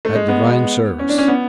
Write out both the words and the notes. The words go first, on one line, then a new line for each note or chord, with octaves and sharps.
Had Divine Service.
A3
G#3
B3
C#4
D4
C#4
B3